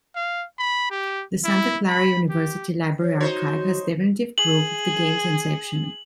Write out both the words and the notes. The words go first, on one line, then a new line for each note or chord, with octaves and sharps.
The Santa Clara University Library Archive has definitive proof of the games inception.
F5
B5
G4
E4
B5
G4
C#5
D#4 F#4 C5 C#5
G#4 F#7